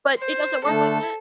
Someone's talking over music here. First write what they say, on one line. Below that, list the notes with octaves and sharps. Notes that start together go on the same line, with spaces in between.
But it doesn't work like that?
C5
D3 A3 D4 A4